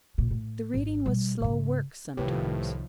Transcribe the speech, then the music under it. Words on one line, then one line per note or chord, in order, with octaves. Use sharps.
The reading was slow work sometimes.
D2 A#2
A2
G#1
B2 G3
G#2 C#3
C2 A2 D#3 F3 G4 B4 G5